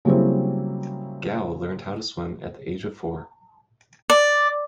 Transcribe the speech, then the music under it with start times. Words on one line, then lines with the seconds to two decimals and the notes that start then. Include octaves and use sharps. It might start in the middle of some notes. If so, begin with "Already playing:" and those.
Gao learned how to swim at the age of four.
0.05 C#3 F#3 G3 A#3 C4 E4
4.10 D5